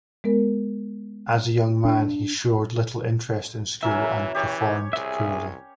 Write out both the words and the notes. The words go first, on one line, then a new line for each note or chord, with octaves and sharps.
As a young man, he showed little interest in school and performed poorly.
G#3 B3 A#4
D4
E3 F#3 C#4 A#4 E5
E3 G4 C#5 C#6
C2 G#4 E5